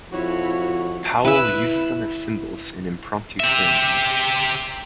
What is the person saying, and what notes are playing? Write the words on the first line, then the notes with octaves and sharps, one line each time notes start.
Powell uses them as symbols in impromptu sermons.
F2 F3 E4 F#4 C#5
E4 B4 E5
G4 E5